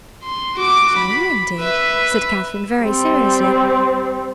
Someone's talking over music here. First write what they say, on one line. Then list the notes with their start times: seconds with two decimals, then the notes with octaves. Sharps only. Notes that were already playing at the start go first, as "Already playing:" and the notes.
"Shall you indeed!" said Catherine very seriously.
0.23 C6
0.56 F#4 D6
0.97 B5
1.59 B4 E5
2.81 G3 C4